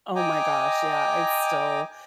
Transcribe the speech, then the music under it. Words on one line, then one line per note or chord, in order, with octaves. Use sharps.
Oh my gosh, yeah, it's still
D#5 G5 G#5 A#5 D6